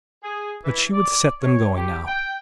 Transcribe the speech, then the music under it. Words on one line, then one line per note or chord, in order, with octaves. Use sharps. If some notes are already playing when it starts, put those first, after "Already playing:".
But she would set them going now.
G#4
E3
D5
C#5
G4
G5